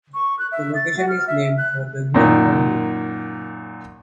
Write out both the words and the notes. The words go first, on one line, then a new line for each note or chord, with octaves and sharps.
The location is named for the Guilford Mill.
C#6
F#6
E5
A6
F#4
F6
E5
F#6
F#2 A#2 D#3